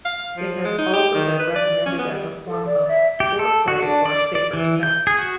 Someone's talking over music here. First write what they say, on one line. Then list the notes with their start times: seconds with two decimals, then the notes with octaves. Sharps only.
It has also been recommended as a form of foreplay or safer sex.
0.05 F5
0.37 F3
0.64 G#3
0.78 D#4
0.93 G4
1.14 D#3
1.39 B4
1.56 D5
1.86 C#4
1.98 B3
2.11 G3
2.47 A4
2.65 D5
2.87 E5
3.20 G4
3.39 A4
3.68 F#4
3.82 D4
4.06 D5
4.35 D5
4.53 E3
4.83 G6
5.07 G#4
5.19 F#4